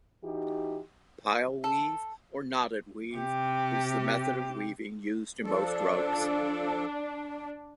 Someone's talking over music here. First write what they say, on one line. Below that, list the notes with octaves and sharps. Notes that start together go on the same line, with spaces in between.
Pile weave or knotted weave is the method of weaving used in most rugs.
E3 D#4 F#4 G4
A4
C3 G4
F3 D4 A4